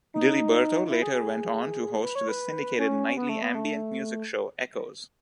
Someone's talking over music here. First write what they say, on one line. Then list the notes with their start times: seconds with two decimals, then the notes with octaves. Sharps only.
Diliberto later went on to host the syndicated nightly ambient music show "Echoes".
0.14 D#4
0.89 E4
1.02 G#4
1.14 G#4
2.03 B4
2.15 C#5
2.29 B4
2.79 C#4
3.17 B3
3.29 A3
3.42 B3
3.55 A3